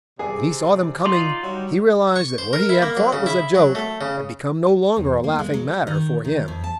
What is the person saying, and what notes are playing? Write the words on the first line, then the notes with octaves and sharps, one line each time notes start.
When he saw them coming, he realized that what he had thought was a joke had become no longer a laughing matter for him.
C3 G#4 D5
D#4 F4 D5 C6
F#3 G3 D#4
C#6
C5
A#4
E4
A#3
F#3
C#3
E4
F#3
A3
C#3
E2
A#3
G#3
F#3
D#3
D#3
F2
A5